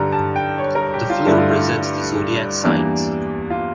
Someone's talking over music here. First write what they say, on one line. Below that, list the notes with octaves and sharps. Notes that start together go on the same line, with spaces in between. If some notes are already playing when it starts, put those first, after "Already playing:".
The floor presents the zodiac signs.
Already playing: G2 D3 G3 A#5
A5
G5
C#5
A#4
G4
F4
G2 D3 A3 E4
F4
E4
E2 E3 G3 A#3 D4
F4